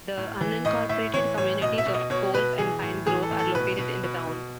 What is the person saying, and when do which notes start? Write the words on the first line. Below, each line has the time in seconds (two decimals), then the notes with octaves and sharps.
The unincorporated communities of Kolb and Pine Grove are located in the town.
0.18 A2
0.41 E3
0.65 A2 D#5
0.89 A2 E5
1.14 E3 C#5
1.38 A2 C#5
1.61 B2 D#5
1.78 E5
1.86 B2
1.94 D#5
2.10 B2 C#5
2.34 B2 B4
2.58 E3 G#4
2.82 A2
3.07 E3 G#4
3.23 A4
3.31 A2
3.39 A4
3.55 B2 B4
3.79 B2
4.03 B2
4.27 B2